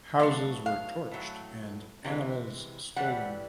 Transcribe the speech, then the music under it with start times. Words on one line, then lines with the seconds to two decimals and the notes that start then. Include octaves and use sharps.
Houses were torched and animals stolen.
0.19 B2 F#3 A3 F5
0.66 F5
1.11 A2 F#3 A3
2.05 C3 E3 G#3
2.96 A2 E3 G3 F#5